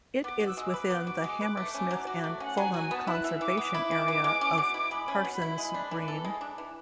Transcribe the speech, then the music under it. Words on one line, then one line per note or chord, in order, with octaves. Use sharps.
It is within the Hammersmith and Fulham Conservation Area of Parsons Green.
B3 D6
F#4
E6
G#3
D6
B4
B3
F#4
G#3
B4
A3
C#4
F#3
F#4
A3
C#4 F#5
F#3 G#5
F#4 G#5
B3 A5
E4 F#6
E3 E6
E3 D6
B3
E4
E3
E3
G#3
C#4
B2
E4
G#3 B5
C#4
B2
E4
G#3
D4
E3
A4
G#3
D4
E3